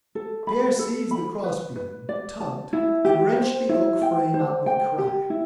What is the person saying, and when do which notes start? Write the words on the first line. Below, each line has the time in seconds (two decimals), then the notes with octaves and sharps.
Pierre seized the crossbeam, tugged, and wrenched the oak frame out with a crash.
0.15 A4
0.47 B5
0.79 A4
1.11 B5
1.44 B4
1.76 B4
2.09 D5
2.40 A5
2.73 E4
3.05 G4
3.37 C5
3.69 E4
4.02 G5
4.34 C5
4.66 G5
4.98 G4
5.30 E4